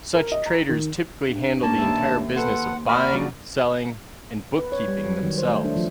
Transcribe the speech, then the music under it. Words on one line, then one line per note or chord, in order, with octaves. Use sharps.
Such traders typically handle the entire business of buying, selling, and book-keeping themselves.
A#4
D#5
A#5
D#3
G2
A#3 C#4 A5
D#2 E5
A4 B4 C5 F#5
F#4 A#4 D5 B5 F6
F3 F#3 D4
B4
C#5
G3
F#3
D#3
C5
A3
D4
F3